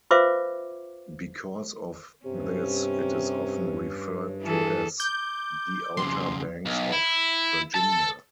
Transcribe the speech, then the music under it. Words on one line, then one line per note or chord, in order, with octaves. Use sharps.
Because of this, it is often referred to as "The Outer Banks of Virginia".
F4 B4 C5 E5 F5 D6
G2 C3 C#4
E3 G#4 A4
D6 G6
F2 C#3 C6
B1
E4
A4 A5